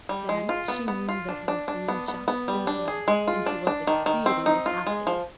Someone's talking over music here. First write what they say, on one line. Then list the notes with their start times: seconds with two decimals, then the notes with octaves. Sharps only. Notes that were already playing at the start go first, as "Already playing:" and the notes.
Then she knew that he was singing just for her, and she was exceedingly happy.
0.09 G3
0.29 G#3
0.49 F4
0.68 B3
0.88 B3
1.09 F4
1.29 D4
1.48 D4
1.68 D4
1.88 B3
2.08 B3
2.28 B3
2.48 G3
2.67 D4
2.88 G#4
3.08 G#3
3.28 F4
3.46 D4
3.67 D4
3.87 D#3
4.06 D#3
4.26 C4
4.46 D#4
4.66 F4
4.87 G#3
5.07 F3